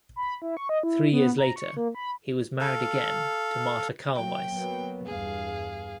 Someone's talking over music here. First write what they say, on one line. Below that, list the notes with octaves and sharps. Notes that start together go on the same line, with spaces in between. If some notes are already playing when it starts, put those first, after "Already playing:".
Three years later he was married again to Marta Karlweis.
B5
E4
C#6
D#5
E4
B3
A#5
C#6
A#3
B5
A4 F5
F#3 A#3 G5
F#3 A#3 B3
E2 G2 G#4 F5